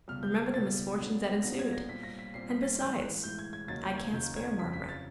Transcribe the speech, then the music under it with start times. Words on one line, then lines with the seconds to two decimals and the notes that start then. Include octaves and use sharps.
Remember the misfortunes that ensued; and besides, I can't spare Margaret.'
0.08 C#2 B2 G3 F6
0.23 G6
0.38 G#6
0.53 C#2 B2 G3 A6
0.99 A#2 F#3 B3 D4
1.43 A#2 F#3 B3 D4 A#6
1.59 G#6
1.73 A#6
1.89 A#2 G3 C4 B6
2.03 A#6
2.19 B6
2.33 A#2 G3 C4 C7
2.49 B6
2.63 A6
2.78 A2 E3 G#3 G6
3.01 F#6
3.24 A2 E3 G#3 G6
3.39 G#6
3.53 G#6
3.68 D#2 C#3 F#3 A#3 D#4 A6
3.83 G6
3.98 G#6
4.13 D#2 C#3 F#3 A#3 D#4 G6
4.36 G#6
4.58 F2 C#3 F#3 B6
4.73 B6
4.89 A6